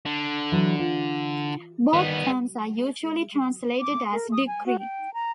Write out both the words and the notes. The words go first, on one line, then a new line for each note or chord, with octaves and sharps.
Both terms are usually translated as "decree".
D3
E3 F#3
F4
D#3 G3 B3
D6
A#4
D#6
G#5
F#4
G5
A#5